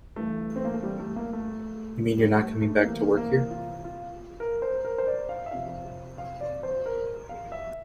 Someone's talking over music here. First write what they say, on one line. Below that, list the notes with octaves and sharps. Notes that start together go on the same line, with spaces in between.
You mean you're not coming back to work here?
G2 E3 A3
C4
A#3
A3
G3
A3
A#3
A3
G3
A3
A3
C2 C3 E3 A#3
A#3
F4
F4
A#4
C5
A#4
C5
D5
F5
E5
F2 C3 F3 F5
F5
D5
C5
A#4
F5
E5